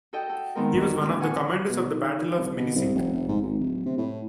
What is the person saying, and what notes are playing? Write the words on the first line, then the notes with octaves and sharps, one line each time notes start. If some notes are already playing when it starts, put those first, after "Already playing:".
He was one of the commanders of the Battle of Minisink.
F#4 A4 D#5 G5
A4
D#3 G#3 B3 C4 D#4 A#4
C4 D#4 F#4
A#2 C4 F6
F#5 G#5 A5 C#6
B2
D#3
C2
B2
C2
F1
F1
G#2
G#1
D1
C3
A2